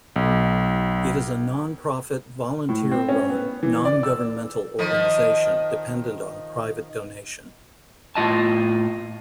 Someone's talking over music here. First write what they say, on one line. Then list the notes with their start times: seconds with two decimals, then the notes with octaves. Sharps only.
It is a non-profit volunteer-run, non-governmental organisation dependent on private donation.
0.16 B1
2.69 A2
2.91 C4
3.09 C#4
3.29 B3
3.63 E3
3.85 D5
4.03 E6
4.79 D#3 F3
8.15 A2 F4 D#5 A5